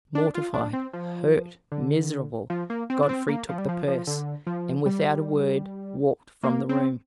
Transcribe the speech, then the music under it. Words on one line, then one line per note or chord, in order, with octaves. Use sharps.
Mortified, hurt, miserable, Godfrey took the purse, and, without a word, walked from the room.
D4
F4
D4
C4
F3
D3
F3
A#3
C4
D4
C4
A#3
F3
G3
F3
F3
D3
F3
G3
A#3
C4